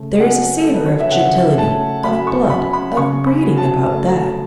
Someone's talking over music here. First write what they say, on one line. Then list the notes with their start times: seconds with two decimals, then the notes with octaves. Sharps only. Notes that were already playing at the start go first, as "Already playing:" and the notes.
There is a savor of gentility, of blood, of breeding, about that.
Already playing: C#3 A3
0.20 F#2 F#5
0.60 A4
0.65 F#2
0.74 B4
0.86 C#5
0.99 E5
1.11 C#3 F#5
1.58 A3 A5
2.04 F#2 B5
2.27 C#6
2.50 F#2 B5
2.73 B5
2.96 C#3 C#6
3.27 B5
3.43 F#3
3.57 A5
3.88 A3